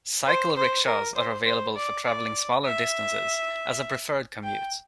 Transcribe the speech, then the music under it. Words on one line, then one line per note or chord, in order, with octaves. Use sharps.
Cycle-rickshaws are available for travelling smaller distances, as a preferred commute.
C5
C5
A#4
C5
C5
D5
D5
E5
G5